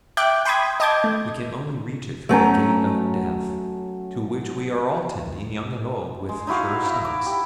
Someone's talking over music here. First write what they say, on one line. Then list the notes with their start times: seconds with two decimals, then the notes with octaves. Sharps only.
We can only reach it through the gate of death, to which we are all tending, young and old, with sure steps.'
0.17 E5 G5 D6 F#6 G6
0.45 G5 B5 C6 D#6 G#6
0.80 D#5 A5 D6 G6 G#6
1.04 A3
2.29 F#3 A3 C#4 A#5
6.29 G#3
6.47 D#4 E4 F#4 F5
6.82 E4 A#4
7.05 D6
7.26 G4